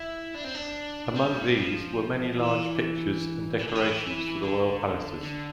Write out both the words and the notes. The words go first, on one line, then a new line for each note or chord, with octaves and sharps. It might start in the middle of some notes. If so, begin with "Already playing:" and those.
Among these were many large pictures and decorations for the royal palaces.
Already playing: E4
D4
C4
D4
G3
F3
E3
E3
D3
E3
D3
D3